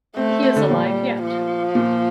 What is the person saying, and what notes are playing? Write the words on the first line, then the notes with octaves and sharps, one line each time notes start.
He is alive yet.
A3 C4
C4
C4
D3
A#2 G3
F3
A#2